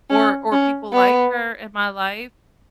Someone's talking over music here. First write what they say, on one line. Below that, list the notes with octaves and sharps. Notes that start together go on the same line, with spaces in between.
or or people like her in my life,
C#4
C#4
B3